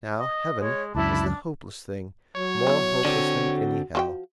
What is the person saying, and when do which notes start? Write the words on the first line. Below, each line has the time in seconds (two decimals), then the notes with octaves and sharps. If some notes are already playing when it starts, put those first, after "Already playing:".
Now, heaven is the hopeless thing, more hopeless than any hell.
0.20 D#5
0.60 G#3 C#5
0.95 C#2 F#2 D4 E4 A5 B5
2.37 F#3 C#5
2.67 B3 E4
3.05 D3 C4 F#4 D5
3.95 F3 F#4 G5